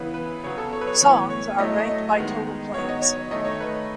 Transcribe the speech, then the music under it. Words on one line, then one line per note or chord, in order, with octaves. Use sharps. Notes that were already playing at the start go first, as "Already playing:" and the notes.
Songs are ranked by total plays.
Already playing: C#3 E3 B3 B4
B4
C#3 F#3 B3 C#5
A4
C#5
B4
C#5
A2 E3 B3 C#5
C#5
A2 F#3 A3 D#5
D#5
D#3 G#3 B3
D#3 F#3 B3 C#5
D#5
C#5
C#5
D#3 A3 D#5
C#5
B4